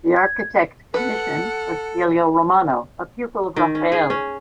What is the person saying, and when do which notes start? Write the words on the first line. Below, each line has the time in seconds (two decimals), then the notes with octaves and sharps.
The architect commissioned was Giulio Romano, a pupil of Raphael.
0.16 G#6
0.94 A4 B4 F#5
3.56 D#3
3.75 C#4
3.92 G#4
4.10 C#4